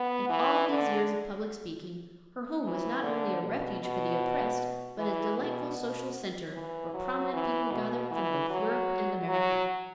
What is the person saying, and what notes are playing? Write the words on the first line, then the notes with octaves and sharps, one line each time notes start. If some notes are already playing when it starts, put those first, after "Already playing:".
In all these years of public speaking, her home was not only a refuge for the oppressed, but a delightful social centre, where prominent people gathered from both Europe and America.
Already playing: B3
E3
D3
E3
D3
B2
B2
E3
B2
B2
E3
F#3
E3
B2
E3
F#3
F#3